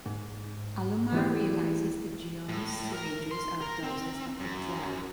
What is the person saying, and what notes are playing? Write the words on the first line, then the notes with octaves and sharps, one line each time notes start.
Alomar realizes that Gionne's syringes are doses of the drug.
G#2
E3 A3 E4 G4 G#4 D5
A2
A#4
C6
A#4
C4
F#2